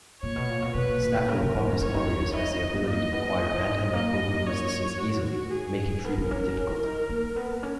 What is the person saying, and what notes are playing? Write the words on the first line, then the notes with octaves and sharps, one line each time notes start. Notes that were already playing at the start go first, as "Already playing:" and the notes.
Staphylococcus aureus has the ability to acquire antimicrobial resistance easily, making treatment difficult.
A#2 C#5
B2
A#2
B2
B2 B4
A#2
A#2
B2
C#3 A#4
C#3
E3
C#4
E4 C#5
C#4
D#4
D#4
D#4
E4 D#5
D#4
C#4
B3
A#3 D#5
B3
E4
D#4
G#3
A#3 D#5
C#5
F#4
G#4
B3 A#4
B3
C#4
D#4
E4
D#4
A#3
B3
C#4